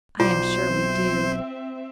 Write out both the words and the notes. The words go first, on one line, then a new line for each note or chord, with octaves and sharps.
I am sure we do.
B1 F4 C5 D5
C4 E5